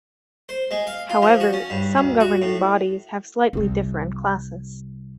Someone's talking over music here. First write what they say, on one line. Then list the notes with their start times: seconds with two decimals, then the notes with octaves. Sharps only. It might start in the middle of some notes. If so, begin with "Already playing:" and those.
However, some governing bodies have slightly different classes.
0.49 C5
0.71 G#3
0.87 F5
1.10 F4
1.22 F3
1.40 F#4
1.53 C#4
1.70 G2
1.98 D2
2.20 F#4
2.42 A2
3.53 C2 G3